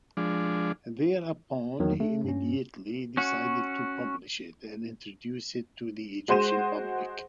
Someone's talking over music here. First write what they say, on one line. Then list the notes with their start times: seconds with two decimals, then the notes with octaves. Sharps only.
Thereupon, he immediately decided to publish it and introduce it to the Egyptian public.
0.17 F3 G#3 D4
1.80 E2 D#3 F#3
2.00 A3
2.24 G2 C#4
3.17 C#4 F#4
6.28 G#3 F#4 C5 C6 D#7 E7